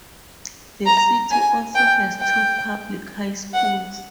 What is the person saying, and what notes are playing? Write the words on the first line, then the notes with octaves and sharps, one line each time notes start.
The city also has two public high schools.
A#5
G#5
G5
G5
F#5